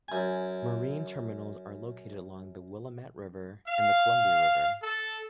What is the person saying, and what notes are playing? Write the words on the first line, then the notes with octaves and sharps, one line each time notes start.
Marine terminals are located along the Willamette River and the Columbia River.
F#2 G#5
F5
A4